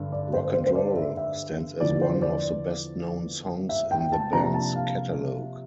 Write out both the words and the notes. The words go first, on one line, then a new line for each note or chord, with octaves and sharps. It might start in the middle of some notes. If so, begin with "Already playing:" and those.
"Rock and Roll" stands as one of the best-known songs in the band's catalogue.
Already playing: G2 D3
D5
C5
C5
C5
D5
E5
E5
E2 D3 F3 D5
C5
D5
E5
G5
A5
C3 F3 A#3 D4 A#5
A5
F5